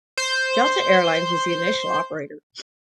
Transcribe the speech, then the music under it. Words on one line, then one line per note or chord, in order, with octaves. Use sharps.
Delta Air Lines was the initial operator.
C5 G6